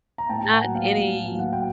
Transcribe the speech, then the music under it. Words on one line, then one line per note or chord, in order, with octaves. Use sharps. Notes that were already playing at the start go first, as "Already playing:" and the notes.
not any,
A#5
A2 G5 A5
F#5 G#5
F#3 A#3
F5 G5
A2
F5
F#3 A#3
F#5
G5